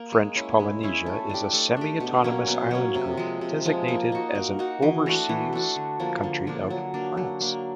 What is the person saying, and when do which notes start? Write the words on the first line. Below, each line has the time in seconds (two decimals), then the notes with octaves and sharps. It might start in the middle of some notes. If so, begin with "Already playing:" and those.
French Polynesia is a semi-autonomous island group designated as an overseas country of France.
Already playing: A#3
0.12 G#3
0.36 C#4 E4
0.59 G#3
0.83 C#4 E4
1.06 A3
1.29 D4 G4
1.53 A3
1.77 D4 G4
2.00 B2
2.24 F#3 A#3 C#4
2.47 B2
2.71 F#3 A#3 C#4
2.94 C3
3.17 F3 G#3
3.41 C3
3.65 F3 G#3
3.88 A#3
4.12 D#4 F#4
4.35 A#3
4.59 D#4 F#4
4.82 E3
5.06 A3 D4 F#4
5.29 E3
5.53 A3 D4 F#4
5.76 D3
6.00 F3 A#3 D4
6.24 D3
6.47 F3 A#3 D4
6.70 F#3
6.94 A#3 D4
7.17 F#3
7.41 A#3 D4